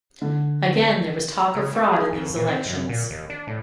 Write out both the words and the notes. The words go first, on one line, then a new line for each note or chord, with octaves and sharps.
Again there was talk of fraud in these elections.
D3
C#3
A3
G#4
F2
A#2
C4
F#2
A#2
D#2
D4
A2